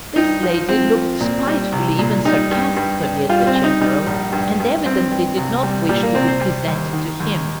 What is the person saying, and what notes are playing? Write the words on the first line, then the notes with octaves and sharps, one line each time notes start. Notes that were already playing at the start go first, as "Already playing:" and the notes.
This lady looked spitefully, even sarcastically, at the general, and evidently did not wish to be presented to him.
G2 D#4
F3
F3 C4
F3
A#2
G3
C2
A#2
G3 D#4
G2
G2
G2
G3 F4
C4
G3
D#4
G3 D#4
A#1
G2
G2
G2 C4
G2
C2
G3
A#2 G3
A#3
C2 C4
C5
G3
D#2
D#3
D#2